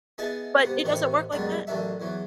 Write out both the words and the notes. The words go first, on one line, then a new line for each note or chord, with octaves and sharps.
But it doesn't work like that?
B3 E4 G#4 D#5 G#5 A5
C3 B3
A1 D#2 E3 C4 C#6
F#2 B2 G3 G#3 A#4 F#5
A1 D#3 F#3 D4 E5
E2 E3 F#3